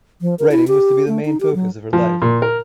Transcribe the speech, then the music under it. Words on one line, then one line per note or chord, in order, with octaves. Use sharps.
Writing was to be the main focus of her life.
F3
A#4
E4
G4
A3
D#4
G4
F#3
F3
A#2
A#4